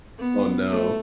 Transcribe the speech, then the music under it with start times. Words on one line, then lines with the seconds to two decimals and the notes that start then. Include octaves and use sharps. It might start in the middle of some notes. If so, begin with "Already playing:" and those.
Oh, no.
0.18 B3
0.70 A3